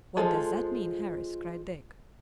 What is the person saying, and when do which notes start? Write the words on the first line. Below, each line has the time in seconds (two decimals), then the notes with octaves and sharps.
"What does that mean, Harris?" cried Dick.
0.17 F3 G#3 A4